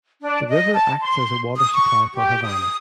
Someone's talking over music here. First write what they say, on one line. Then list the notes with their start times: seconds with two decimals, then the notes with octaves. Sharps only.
The river acts as a water supply for Havana.
0.21 D4
0.49 D#5
0.74 A5
1.02 C6
1.55 D#6
1.73 C#6
2.14 G4
2.44 D#6